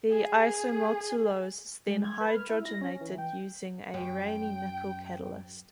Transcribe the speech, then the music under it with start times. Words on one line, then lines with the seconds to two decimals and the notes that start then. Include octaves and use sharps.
The isomaltulose is then hydrogenated, using a Raney nickel catalyst.
0.10 G#4
1.88 G#3
2.04 G#6
2.21 B4
2.35 F6
2.49 E4
2.65 A#6
2.81 C#4
3.01 E3
3.18 G5
3.94 F#2 G5